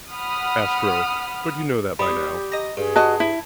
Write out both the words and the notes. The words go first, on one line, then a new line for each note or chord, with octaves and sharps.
"Astro, but you know that by now."
F#5 B5 D#6 F6
G3 G4 B5 D#6
D#5 A#5
G2 G#4
F#4 D#5 A5
E4